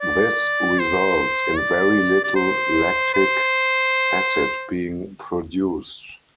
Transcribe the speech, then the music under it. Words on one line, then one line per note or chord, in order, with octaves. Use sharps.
This results in very little lactic acid being produced.
D5
C5
D5
D5
C5
C5